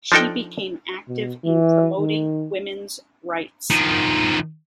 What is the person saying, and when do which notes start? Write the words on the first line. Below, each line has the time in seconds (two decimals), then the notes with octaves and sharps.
She became active in promoting women's rights.
0.12 F3 D4 D#4 A4 G5
1.08 B2
1.45 E3
1.99 D#3
3.71 D#3 F3